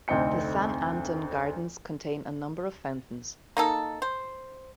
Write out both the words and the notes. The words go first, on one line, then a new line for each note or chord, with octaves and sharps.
The San Anton Gardens contain a number of fountains.
F1 D2 C4 D#4 G5 C#7
A#3 D#4 A4
C5